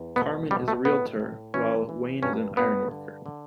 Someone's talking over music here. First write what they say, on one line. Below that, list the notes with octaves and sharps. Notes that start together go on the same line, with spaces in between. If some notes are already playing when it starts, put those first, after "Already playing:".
Carmen is a realtor while Wayne is an ironworker.
Already playing: E2
B2 B3
B2 G3
A3
A2 B3
A2
E3 C#4
E3
G2 C#4
G2 B3
D3
D3